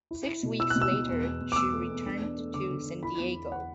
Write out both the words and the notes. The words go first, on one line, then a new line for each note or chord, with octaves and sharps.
Six weeks later, she returned to San Diego.
E4
E4
B2
E4 E6
F#6
B2
E6
B2
E2
E2
E2
D6
E2 E6
A3
E2
D4
D4
A3
D3 D6
D3
D4
E4 B5
E2
E2
F#5